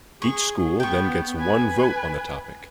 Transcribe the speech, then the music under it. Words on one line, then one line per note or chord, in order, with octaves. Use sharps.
Each school then gets one vote on the topic.
G#4 C#6
B3 G5 C#6
B4 G#5